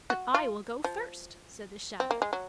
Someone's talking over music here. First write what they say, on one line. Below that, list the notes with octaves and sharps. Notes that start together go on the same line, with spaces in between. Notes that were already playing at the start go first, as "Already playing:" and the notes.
"But I will go first!" said the shadow.
F#4
F4
F3
C4
A#3
G#3
F#3